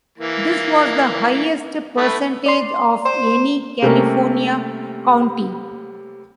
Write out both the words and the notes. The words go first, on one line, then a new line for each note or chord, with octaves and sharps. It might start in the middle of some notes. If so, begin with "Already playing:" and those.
This was the highest percentage of any California county.
E3 A#3
A3 B4
D5 C6
C5
C3 G3 A3 A#3 C#4 A#4